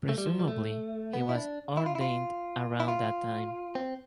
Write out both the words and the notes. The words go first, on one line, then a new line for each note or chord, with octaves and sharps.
Presumably he was ordained around that time.
A3
G3
F3
G3
A3
B3
E4
D4
E4
F4
E4
F4
E4
F4
C4